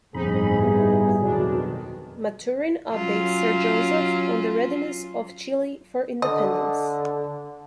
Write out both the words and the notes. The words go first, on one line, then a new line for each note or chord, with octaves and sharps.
Maturin updates Sir Joseph on the readiness of Chile for independence.
G1 F2 A2 C4 D#4 G#4 B5
G3 B3 E4
F2 B2 D#3 F#3 D4
F#3 C#4 F4
D3 D#5